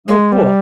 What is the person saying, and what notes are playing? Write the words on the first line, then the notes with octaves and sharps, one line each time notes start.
Oh, cool.
G#3
G3